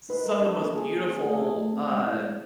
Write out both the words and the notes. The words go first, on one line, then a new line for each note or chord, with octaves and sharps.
some of the most beautiful, uh
D#4 B4
G3 A#4
D4 A4
A#3 A4
F4 G#4
A#3
C#4 G#4
A3 G#4
A4
F#4 G#4
A3
C4
G#3
E4
G#3